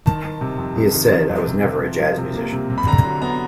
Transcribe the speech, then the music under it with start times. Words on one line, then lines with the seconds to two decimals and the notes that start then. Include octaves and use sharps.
He has said, I was never a jazz musician.
0.06 D#3 A5
0.24 D#3
0.41 C3
0.58 F2
0.76 F2
0.93 D#3
1.11 D#3
1.29 F2
1.47 C3
1.65 C3
1.81 F3
2.00 F3
2.17 C3
2.34 A#3
2.53 C3
2.70 C3
2.78 B5
2.87 D3 A#5
3.04 F#3
3.22 B3 A#5